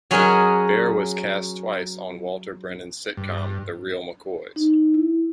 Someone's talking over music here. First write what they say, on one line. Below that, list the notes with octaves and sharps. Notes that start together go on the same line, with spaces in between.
Baer was cast twice on Walter Brennan's sitcom, "The Real McCoys".
F#3 C#4 F#4 G#4 A#4 D#5
G2
D#4
E4